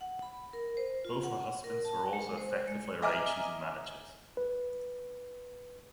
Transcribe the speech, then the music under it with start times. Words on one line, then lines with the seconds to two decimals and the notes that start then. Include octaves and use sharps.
Both her husbands were also effectively her agents and managers.
0.01 F#5
0.22 B5
0.53 A#4
0.77 C5
1.05 F4
1.23 F#5
1.64 A#4
1.85 A5
2.13 G#3
2.38 C5
2.68 G#3
3.02 D#5 E5 G#5 A#5 D6 F6
4.37 B4